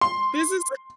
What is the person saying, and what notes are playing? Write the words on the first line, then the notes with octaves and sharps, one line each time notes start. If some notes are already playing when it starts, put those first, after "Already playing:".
This is
C6